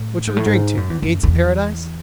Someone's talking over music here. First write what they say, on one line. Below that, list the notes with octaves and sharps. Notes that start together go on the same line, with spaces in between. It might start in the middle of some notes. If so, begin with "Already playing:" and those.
What shall we drink to? The gates of paradise?
Already playing: A2
G#2
A2
G#2
F#2
E2
F#2
F#2
E2